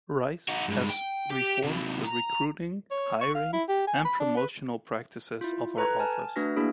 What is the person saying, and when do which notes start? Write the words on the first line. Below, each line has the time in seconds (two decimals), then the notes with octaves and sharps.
Rice has reformed the recruiting, hiring and promotional practices of her office.
0.48 D#4 F#4
0.68 G2 G#3
0.90 G5
1.31 G4
1.64 C3 F#3
2.04 A#5
2.91 C#5
3.21 C#6
3.35 F5
3.53 E4
3.69 G4
3.87 G#5
4.05 B5
4.20 D4
4.37 B4
5.41 E4 F4
5.77 A4 B4 A#5 F#6 G#6
5.99 G#5 A5 F6
6.36 A3 D4 F#4 B4 F6 A#6
6.56 A#3 D4 E4 G#4